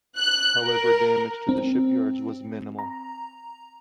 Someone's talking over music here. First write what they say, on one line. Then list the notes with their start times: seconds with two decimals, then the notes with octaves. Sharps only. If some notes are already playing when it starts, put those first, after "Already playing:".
However damage to the shipyards was minimal.
0.17 F#6
0.63 A#4
1.49 C4
2.79 A#5